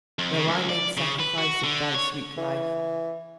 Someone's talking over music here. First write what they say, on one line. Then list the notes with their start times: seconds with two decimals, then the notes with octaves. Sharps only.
Though I made sacrifice of thy sweet life.
0.19 F2
0.33 C#3
0.47 C#2
0.69 D5
0.97 C#3
1.20 B4
1.38 F#4
1.64 D3
1.95 C#5
2.38 E3